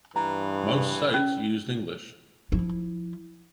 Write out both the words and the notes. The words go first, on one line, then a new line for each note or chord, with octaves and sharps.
Most sites used English.
G2 E3 A#5
C#4
F3 E4